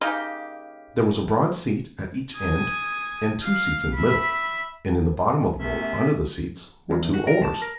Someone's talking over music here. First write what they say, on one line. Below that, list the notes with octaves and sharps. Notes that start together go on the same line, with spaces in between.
There was a broad seat at each end and two seats in the middle, and in the bottom of the boat, under the seats, were two oars.
C#3 A#3 D#4 G4
G#5 D#6
F5
E5 B5
F#2 C3 A3 B3 C#4 E5
E2
F#4
A#4
A5
A#4